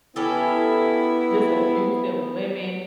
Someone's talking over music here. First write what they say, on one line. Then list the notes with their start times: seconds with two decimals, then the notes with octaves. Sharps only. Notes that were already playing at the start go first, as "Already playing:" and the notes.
Just abusing women,
0.16 B3 C#4 E4 G4 A4